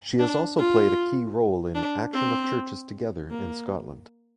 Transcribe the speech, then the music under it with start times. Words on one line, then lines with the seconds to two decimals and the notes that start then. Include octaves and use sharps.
She has also played a key role in Action of Churches Together in Scotland.
0.19 D4
0.58 F4
1.75 D4
2.14 C4
3.30 A#3